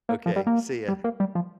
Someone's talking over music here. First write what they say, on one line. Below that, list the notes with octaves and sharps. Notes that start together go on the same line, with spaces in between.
Okay. See ya.
A#3
F3
G3
A#3
G3
A#3
G3
F3